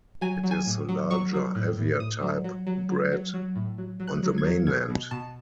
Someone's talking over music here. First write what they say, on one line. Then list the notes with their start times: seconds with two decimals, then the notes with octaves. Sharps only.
It is the larger, heavier type bred on the mainland.
0.21 F#3 G#5
0.43 F#3
0.51 G#5
0.66 A2
0.89 F#3
1.11 F#3 C#6
1.33 F#3
1.55 A2
1.77 A2
2.00 A2 D#6
2.22 F#3
2.44 F#3
2.67 F#3
2.89 F#3
3.12 F#3
3.34 F#3
3.56 A2
3.78 F#3
4.00 F#3
4.07 F#6
4.23 F#3
4.38 G#6
4.44 F#3
4.67 B2 G#6
4.90 B2
5.11 B2 A5